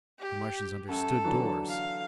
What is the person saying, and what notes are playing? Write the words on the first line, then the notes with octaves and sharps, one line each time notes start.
The Martians understood doors!
G4
F#2 A4
D3 E3 F#3
F5